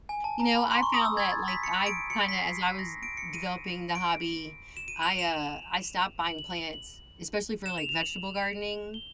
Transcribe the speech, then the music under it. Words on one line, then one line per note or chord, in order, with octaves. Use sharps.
You know, I've found that, like, I kinda as I was developing the hobby, I, uh, I stopped buying plants, especially for, like, vegetable gardening,
G#5
A5
A#5
B5
C6
C#6
D#6
E6
G#6
A6
B6
C#7
D7
C#7
B6
C7
B6
A#6
D7
C#7
D#7
D7
E7
D#7
F7
E7
F#7
F#7
F#7
F#7
F#7
E7
F7
F7
F#7
G7